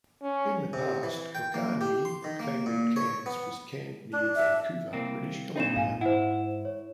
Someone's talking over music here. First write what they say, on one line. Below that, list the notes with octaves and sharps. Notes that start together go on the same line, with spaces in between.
In the past, Kokanee that came in cans was canned near Vancouver, British Columbia.
C#4
C3
E3
G5
A#3
G4
C6
D#3
A#3
A#2
C#5
B3
D4
E5
C2 A#3 C4
A#2 C4 D4 D#4 E7
G#2 F5 G#5
E4 C5 F#5
C#5